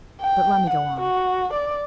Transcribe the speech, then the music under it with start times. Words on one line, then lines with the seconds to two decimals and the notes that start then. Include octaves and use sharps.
But let me go on.
0.21 G5
0.70 F#5
1.00 F#4
1.53 D5